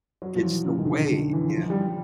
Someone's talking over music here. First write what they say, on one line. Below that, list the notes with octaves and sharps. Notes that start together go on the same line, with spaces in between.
it's the way, yeah.
F#3
F3
E3
C#3
D#3
D3
D3
D#3
E3
F3
G3